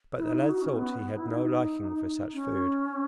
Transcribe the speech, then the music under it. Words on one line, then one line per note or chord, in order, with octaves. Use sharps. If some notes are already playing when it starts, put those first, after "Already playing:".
But the lad thought he had no liking for such food.
E4
D#4
D#4
F#4
C#4
B3
E4
D#4
C#4